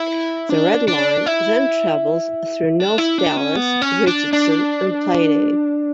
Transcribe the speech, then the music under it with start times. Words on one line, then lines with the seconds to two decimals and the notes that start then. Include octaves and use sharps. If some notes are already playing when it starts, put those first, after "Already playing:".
The Red Line then travels through north Dallas, Richardson and Plano.
Already playing: E4
0.50 D4
0.88 D4
1.27 E4
2.80 D4
2.98 E4
3.19 D4
3.37 C#4
3.56 B3
3.81 C#4
4.07 D4
4.33 D4